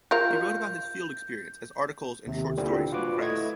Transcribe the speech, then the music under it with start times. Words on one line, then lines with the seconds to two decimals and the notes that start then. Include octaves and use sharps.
He wrote about his field experience as articles and short stories in the press.
0.11 F4 A#4 F5 G6
2.27 D#2 C3
2.57 A#2 D3 E3 G3 C4
2.92 F4 F#4 B4 D6
3.20 A3 E4 D#5 G#6